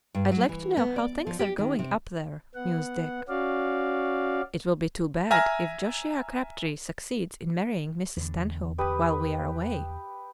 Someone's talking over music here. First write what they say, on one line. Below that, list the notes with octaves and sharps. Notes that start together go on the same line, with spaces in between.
"I'd like to know how things are going up there," mused Dick. "It will be too bad if Josiah Crabtree succeeds in marrying Mrs. Stanhope while we are away."
G2
F#3
E3
B3
D5
F3
G4
D#3
C3
B3 F#5
C#4 F#4 D5 F5
E5 G#5 A#5 F6 A#6
E2 D3
G4 B4 D#6